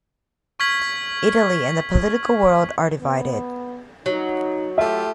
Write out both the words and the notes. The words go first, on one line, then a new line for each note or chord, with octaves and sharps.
Italy and the political world are divided.
C#6 F6 G#6 B6 F#7
B3
F#3 D#4
A3 F4 G4 E5